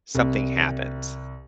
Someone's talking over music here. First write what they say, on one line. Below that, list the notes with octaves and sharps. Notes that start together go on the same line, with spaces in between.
something happens,
C2